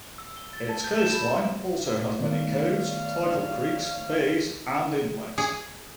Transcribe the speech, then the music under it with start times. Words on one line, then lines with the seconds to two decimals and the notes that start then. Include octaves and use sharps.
Its coastline also has many coves, tidal creeks, bays and inlets.
0.18 E6
0.37 G7
0.53 A6
0.69 A5
0.84 G6
0.98 E7
1.13 B5
2.19 G#2 D#3 A3 B3 C#5 D5 F5
5.38 G#4